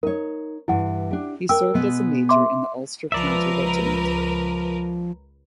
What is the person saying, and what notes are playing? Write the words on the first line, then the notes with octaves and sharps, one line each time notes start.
He served as a Major in the Ulster County Regiment.
D#4 A#4 C#5
G2 E3 E4 F#5
D4 G4
A#4 G5 E6
B2 G#3 B3
E5 C6 D6
C#2 F3 A#4 B4 D5 E5